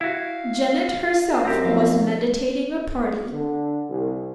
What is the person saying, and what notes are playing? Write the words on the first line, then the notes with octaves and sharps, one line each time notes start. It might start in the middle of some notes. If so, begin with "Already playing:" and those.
Janet herself was meditating a party.
E4 F#4 F5
F#2 C4 G4 E6 A#6
F3 B3 D#4 F5
D3
C2